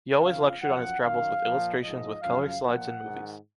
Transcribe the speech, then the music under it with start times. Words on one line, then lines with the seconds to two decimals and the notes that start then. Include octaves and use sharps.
He always lectured on his travels with illustrations with color slides and movies.
0.21 F2 C#3 F3 F5
0.62 F#2 F3 F#5
1.01 F#2 D#3 F5
1.42 A#2 F3
1.82 G#2 F3 D#5
2.22 F#2 C#3 F3 F5
2.62 A#2 F3 F#5
3.03 G#2 D#3